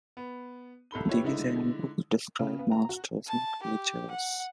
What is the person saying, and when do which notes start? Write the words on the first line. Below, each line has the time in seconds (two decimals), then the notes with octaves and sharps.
These handbooks describe monsters and creatures.
0.17 B3
0.91 C2 A4 B5 G7
1.09 G3 E4 B4 C#5
1.24 D3 G#3 D#4 E4
2.39 C#3
2.59 B3
2.72 A#5
2.89 F#4
3.27 A5
3.63 G4
4.11 F#5